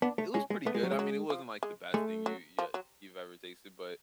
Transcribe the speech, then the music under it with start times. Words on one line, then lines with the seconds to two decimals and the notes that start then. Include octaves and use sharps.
it was pretty good, I mean, it wasn't, like, the best thing you you li you've ever tasted, but,
0.02 B3 D4
0.18 A3
0.34 G#3 C#4
0.50 G#3
0.66 A3 B3
0.75 G#3
0.83 F#3
0.91 G#3
0.99 F#3
1.30 F3
1.63 G#3
1.94 G#3 A3
2.26 F#3
2.58 F3
2.74 F#3